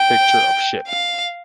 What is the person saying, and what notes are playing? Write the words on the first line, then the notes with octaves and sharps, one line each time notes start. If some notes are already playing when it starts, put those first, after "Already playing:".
Picture of ship.
Already playing: G5
F5